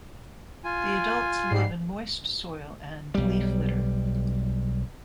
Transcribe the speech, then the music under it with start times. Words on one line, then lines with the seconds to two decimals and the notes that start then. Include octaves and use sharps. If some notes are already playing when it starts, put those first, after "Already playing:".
The adults live in moist soil and leaf litter.
0.64 F4 G#5
1.50 G#2 G3 C7
3.15 B1 G3